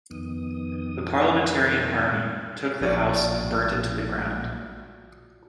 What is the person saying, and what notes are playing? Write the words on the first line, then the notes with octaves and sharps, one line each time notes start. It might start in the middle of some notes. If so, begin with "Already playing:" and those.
The Parliamentarian army took the house and burnt it to the ground.
F2 D#3 B3 D#6
C2
A#1 F4 F#4 D5